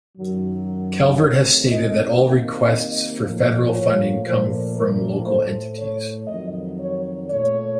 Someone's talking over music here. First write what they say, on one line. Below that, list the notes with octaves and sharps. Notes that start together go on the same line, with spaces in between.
Calvert has stated that all requests for federal funding come from local entities.
F#2 D#3 F#3
C3 D#3 A3 C#5
D#5
C3 D#3 A#3
D#5
A2 F3 A#3
C#5
A#2 F3 A3 C5
A#4
A2 A3 C5
C#5
F2 D#3 F#3 D#5
C#5
A#2 A3 C#5